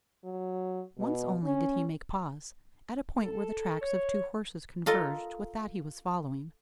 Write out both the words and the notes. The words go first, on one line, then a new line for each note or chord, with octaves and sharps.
Once only did he make pause; at a point where the tracks of two horses converged with that he was following.
F#3
B2
C#4
A4
C#5
F4 A4 A#4 D#5